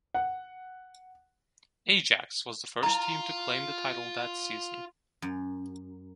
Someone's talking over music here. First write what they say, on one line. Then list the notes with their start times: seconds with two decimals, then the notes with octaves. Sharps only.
Ajax was the first team to claim the title that season.
0.14 F#5
2.83 E4 F4 A#5
5.22 F#2